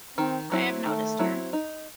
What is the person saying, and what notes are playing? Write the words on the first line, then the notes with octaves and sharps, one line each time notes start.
I have noticed her.
D#3 C4
F#3 C4 E4
D#3 A3
F#3 C4 E4
D#4